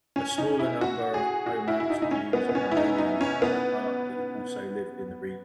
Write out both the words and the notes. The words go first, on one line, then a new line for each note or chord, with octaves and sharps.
A smaller number of Pomaks, Jews, Armenians and Romani also lived in the region.
C#4
D#4
E4
F#4
G#4
F#4
E4
E4
D#4
D#4
C#4
B3
B3
C#4
E4
D#4
D#4
C#4
B3